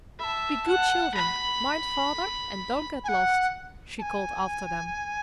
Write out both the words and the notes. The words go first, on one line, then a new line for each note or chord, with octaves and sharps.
"Be good children; mind Father, and don't get lost," she called after them.
E5 A5 B5
F#5
B5
G#5
F#5
A5
G#5